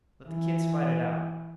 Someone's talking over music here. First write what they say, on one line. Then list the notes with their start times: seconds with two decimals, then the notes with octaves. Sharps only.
"Let the kids fight it out."
0.28 E3